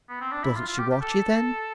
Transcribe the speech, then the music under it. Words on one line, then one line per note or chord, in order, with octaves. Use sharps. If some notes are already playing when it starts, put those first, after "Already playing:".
"Doesn't she watch you, then?"
B3
C4
D4
E4
F4
F4
G4
G4
A4